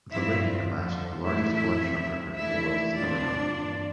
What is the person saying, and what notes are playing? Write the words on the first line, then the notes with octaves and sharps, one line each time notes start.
The lady amassed the largest collection of records the world has ever known.
G2 F3 C4 E4 F4 E5
F2 D3 F3
A2 E3 A3 E4 E5
E4 E5
E2 C3 F3 C4 E4
E3 A3 D4 E4 E5
A#2 G3 C4 D4 F4 D5
G2 E3 A#3 F4